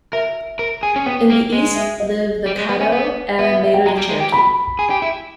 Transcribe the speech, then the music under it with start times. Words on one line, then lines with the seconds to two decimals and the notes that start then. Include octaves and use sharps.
In the East lived the Caddo and later the Cherokee.
0.13 A#4 E5
0.59 A#4
0.83 G#4
0.96 C#4
1.06 B3 G5
1.30 A#3
1.52 G#3
1.75 E5
2.00 D#5
2.46 G3
2.58 G#3
2.69 B3
2.81 C#4
2.92 B3
3.39 B3 E5
3.50 E5
3.62 E5
3.74 G5
3.86 G#3 A#5
3.97 G3
4.09 G#3
4.20 G4
4.32 B5
4.79 G#4
4.90 G4
5.02 E4